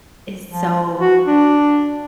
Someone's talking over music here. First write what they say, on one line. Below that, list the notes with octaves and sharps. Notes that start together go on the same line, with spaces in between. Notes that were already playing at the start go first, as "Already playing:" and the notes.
is so
F3
F#4
D4